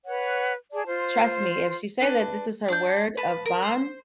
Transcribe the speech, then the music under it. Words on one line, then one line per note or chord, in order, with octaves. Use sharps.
trust me, if she say that this is her word of bond,
B4 C#5 F#5
G#4 D5 A5
F4 C5
D4 B4
D4 G6
B4 A5
A#4
C5